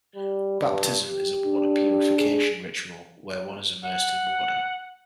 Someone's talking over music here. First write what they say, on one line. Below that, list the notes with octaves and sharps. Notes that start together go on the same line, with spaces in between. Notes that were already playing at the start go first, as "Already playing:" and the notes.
Baptism is a water purification ritual where one is immersed in water.
G3
G2
G4
D4
G#4
F#5